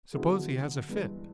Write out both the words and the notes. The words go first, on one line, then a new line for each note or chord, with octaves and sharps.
"Suppose he has a fit!"
D3 F#3 B3 E4 G#4
G2 E3 G#3